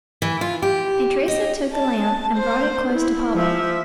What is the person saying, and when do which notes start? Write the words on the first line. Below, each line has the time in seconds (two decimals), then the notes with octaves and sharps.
And Teresa took the lamp and brought it close to Paula.
0.22 E3
0.41 F4
0.62 G4
1.28 D#4
1.74 A5
2.36 C5
2.93 E4
3.34 F3 E5